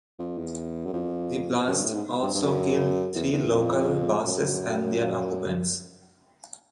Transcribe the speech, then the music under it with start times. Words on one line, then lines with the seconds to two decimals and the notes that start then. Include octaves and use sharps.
The blast also killed three local buses and their occupants.
0.19 F2
0.38 E2
0.85 F#2
0.93 F2
1.67 F#2
1.76 G2
1.85 A2
1.94 G#2
2.23 G2
2.34 G2
2.41 F#2
3.15 E2
3.32 E2
3.52 F2
4.25 F#2